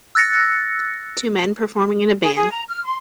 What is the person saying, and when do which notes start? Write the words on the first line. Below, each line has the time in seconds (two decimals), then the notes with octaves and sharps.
Two men performing in a band.
0.15 E6 F#6 A6 A#6 C#7
2.22 G#4
2.36 G#4
2.50 A#5
2.67 F6
2.83 C6